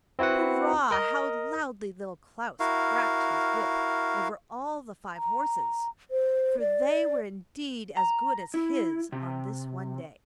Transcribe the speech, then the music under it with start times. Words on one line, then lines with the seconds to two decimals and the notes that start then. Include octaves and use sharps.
Hurrah! how loudly Little Klaus cracked his whip over all the five horses! for they were indeed as good as his on this one day.
0.19 C4 E4 F#4 B4 F#5
0.91 A#4 D#5
2.60 E4 F#4 A#4 F5
5.16 A#5
6.11 C5
6.60 D5
7.97 A#5
8.54 E4
9.12 C3